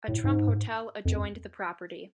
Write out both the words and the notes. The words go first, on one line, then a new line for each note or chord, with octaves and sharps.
A Trump Hotel adjoined the property.
A2
G#2
F2